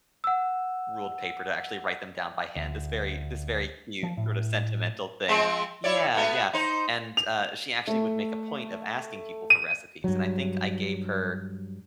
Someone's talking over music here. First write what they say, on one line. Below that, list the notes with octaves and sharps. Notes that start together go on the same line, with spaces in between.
ruled paper to actually write them down by hand. This very this very cute sort of sentimental thing. Yeah, yeah. And, uh, she actually would make a point of asking people for recipes. And I think I gave her
F#5 E6
D2
F3
A2
F3 G#3 C4
E4 C#5 D5
A3 B3 F#4
D#4 C5
F7
A3
D#7
G2 F#3